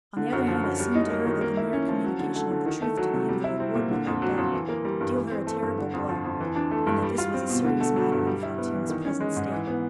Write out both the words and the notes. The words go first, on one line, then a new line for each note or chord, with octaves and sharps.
On the other hand, it seemed to her that the mere communication of the truth to the invalid would, without doubt, deal her a terrible blow, and that this was a serious matter in Fantine's present state.
D3
F#2
F3
F#2
G3
D#4
A#3
D#3
A#3
E4
C#4
F3
F#3
D3
A3
D3
D#3
A3
F#3
C3
G3
E4
C4
A#2
D3
F2
F#3
F2
E3
A#3
G3
G2
E3
C4
A3
G2
D3
F2
F3
F2
E3
D4
A3
G2
G3
F4
C4
B2
D3
A3
F#3
G2
G3
E4
B3
E3
D#3
C#4
G#3
G#2
E3
B3